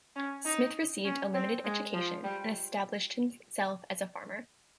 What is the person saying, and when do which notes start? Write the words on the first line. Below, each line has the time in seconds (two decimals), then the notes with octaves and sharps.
Smith received a limited education, and established himself as a farmer.
0.16 C#4
0.45 D#4
1.04 C#4
1.34 C4
1.64 G#3
1.94 F3
2.24 G3